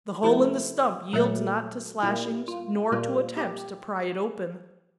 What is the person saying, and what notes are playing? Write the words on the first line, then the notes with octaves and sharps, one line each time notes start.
The hole in the stump yields not to slashings, nor to attempts to pry it open.
C3 F3 A3 E4
A#2 F#3 A3
A#2 G3 A#3 E4
F4
A#2 G3 A#3 F4
G4